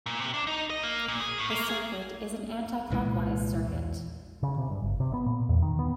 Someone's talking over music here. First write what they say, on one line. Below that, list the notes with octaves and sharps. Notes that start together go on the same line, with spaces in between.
The circuit is an anticlockwise circuit.
A#2
C3
D4
D#4
D#5
A#3
A#2
G#4
A2
A#3
G#4
C2 A#2 E3 G#3
E2
C#3
C3
G2
G1
C3
B3
A#2
E2
D#3
B3